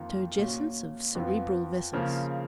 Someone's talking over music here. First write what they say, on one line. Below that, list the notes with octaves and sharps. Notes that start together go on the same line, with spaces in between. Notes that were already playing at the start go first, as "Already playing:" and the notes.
Turgescence of cerebral vessels.
Already playing: F2 D#3 A#3 F4
A#2 F#3 C#4
F2 F3 B3 F4
C#3 F3 A#3 F4